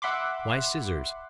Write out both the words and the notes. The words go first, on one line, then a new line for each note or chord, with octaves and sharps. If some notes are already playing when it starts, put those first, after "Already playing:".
Why scissors?
E5 F#5 B5 C6 D6